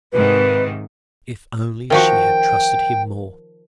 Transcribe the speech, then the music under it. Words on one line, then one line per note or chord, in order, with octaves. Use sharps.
If only she had trusted him more!
G#2 C3 D#3 B4
D#3 F3 F#4 G5